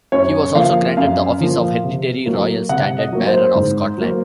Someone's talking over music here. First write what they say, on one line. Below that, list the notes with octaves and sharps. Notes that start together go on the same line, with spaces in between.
He was also granted the office of Hereditary Royal Standard-Bearer of Scotland.
F#2 C#5
F3 A#3 F5
F#2 F5
F3 A#3
C3
F#3 A#3
C3 F#5
D#5
F#3 A#3
C5
G#2
F#3 A#3